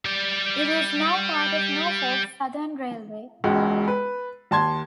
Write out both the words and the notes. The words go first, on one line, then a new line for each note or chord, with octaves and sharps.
It is now part of Norfolk Southern Railway.
G3 D5
E1 C#2 G#3 F#4
B4
D#2 A5 C6 G#6